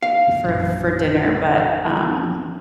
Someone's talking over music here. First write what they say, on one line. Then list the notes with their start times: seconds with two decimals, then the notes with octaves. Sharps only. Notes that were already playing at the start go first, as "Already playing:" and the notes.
for for dinner, but, um,
0.03 F5
0.45 A#1 F#2